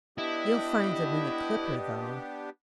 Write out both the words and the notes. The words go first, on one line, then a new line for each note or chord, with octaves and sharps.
You'll find them in the 'Clipper,' though.
B3 D4 E4 G4 D#5